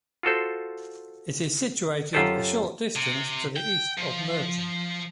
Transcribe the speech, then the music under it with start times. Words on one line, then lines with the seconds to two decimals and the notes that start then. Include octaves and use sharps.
It is situated a short distance to the east of Murton.
0.23 F4 F#4 A4 C5
2.13 F#2 F4 G4 A4 C5 D5
2.96 C3
3.56 G5
3.98 F3